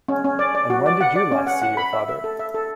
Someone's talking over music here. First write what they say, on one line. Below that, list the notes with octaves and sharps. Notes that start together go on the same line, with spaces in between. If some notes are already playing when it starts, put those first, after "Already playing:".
And When Did You Last See Your Father?
C#4
C#4
D5
D5
F#4
D5
F#5
D5
C#4
F#5
F#5
B5
E5
E5
A4
E5
A4